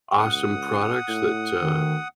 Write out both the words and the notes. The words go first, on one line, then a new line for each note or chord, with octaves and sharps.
awesome products that, uh,
C#2 F#5 D#6
A2
D2 D#3